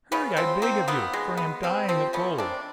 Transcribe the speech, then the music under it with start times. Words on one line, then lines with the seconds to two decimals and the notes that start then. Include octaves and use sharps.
"Hurry, I beg of you, for I am dying of cold."
0.12 C#3 B3 C#4
0.37 F3 C4
0.62 A#3 C4
0.88 D#3 B3
1.13 G#3
1.37 B3
1.63 C3 C4
1.88 F3 C4
2.13 A3 B3 C#4
2.38 D#3 C4 D4